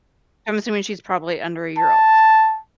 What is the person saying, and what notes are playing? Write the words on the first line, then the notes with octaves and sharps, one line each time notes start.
I'm assuming she's probably under a year old.
A5